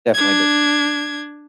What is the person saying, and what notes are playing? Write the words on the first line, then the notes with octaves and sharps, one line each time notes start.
Definitely before.
D4 G#6